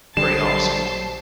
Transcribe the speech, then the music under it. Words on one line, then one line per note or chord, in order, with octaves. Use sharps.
pretty awesome.
A#1 D3 F#3 G3 C5 A5 C7 E7